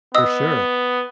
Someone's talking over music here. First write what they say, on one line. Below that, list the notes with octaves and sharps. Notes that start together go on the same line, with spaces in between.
For sure.
B3 D#5 D#6 E6